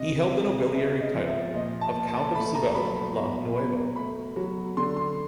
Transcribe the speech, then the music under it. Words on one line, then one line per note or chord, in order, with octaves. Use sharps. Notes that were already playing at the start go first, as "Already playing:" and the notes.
He held the nobiliary title of "Count of Sevilla la Nueva".
Already playing: C3 D#5
C3
G#3 E5
D#5
F3
E5
A#2 D#5
A5
A#2
A5
A3 B5
A#5
F#3 B5
B5
B2 A#5
B2 B5
A3 B5
F#3
D3 C6
C6